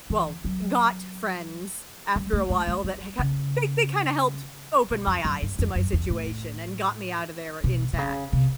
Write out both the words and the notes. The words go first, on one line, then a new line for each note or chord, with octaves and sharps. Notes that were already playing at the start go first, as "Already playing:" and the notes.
Well, got friends after a while that had ki they they kinda helped open my eyes to my situation and got me out of there intact.
E3
F#3
G3
A3
G#3
G#3
G3
C#3
B2
F2
F#2
G2
F2
F#2
E2
A2
B2
C3
C#3
C3